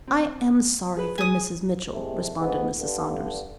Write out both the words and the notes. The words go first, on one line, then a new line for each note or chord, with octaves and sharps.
"I am sorry for Mrs. Mitchell," responded Mrs. Saunders.
C4
G#4 B4
G#3 G#5 D#6
C2 C3 G#3 A3
F2 G#2 E3 B3
G2 D3